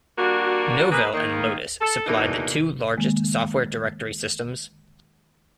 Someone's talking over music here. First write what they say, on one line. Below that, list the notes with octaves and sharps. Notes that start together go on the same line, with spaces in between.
Novell and Lotus supplied the two largest software directory systems.
G3 A#3 D4 F#4
A#3 G#4 B4
D#3 A#3
A4
E2 B2 D3 E3 A#3 D#4
D#3 G#3 A#3